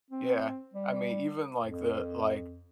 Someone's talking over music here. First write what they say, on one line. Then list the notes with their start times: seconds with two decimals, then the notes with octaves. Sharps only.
Yeah, I mean, even like the, like
0.11 C4
0.74 G3
1.63 F2